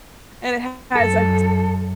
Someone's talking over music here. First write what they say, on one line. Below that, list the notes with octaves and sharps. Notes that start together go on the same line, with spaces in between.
And it has a
F#2 A4